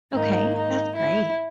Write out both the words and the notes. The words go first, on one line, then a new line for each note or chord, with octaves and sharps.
Okay, that's great.
G#2 D#3 A#3 D#4
D#4
E4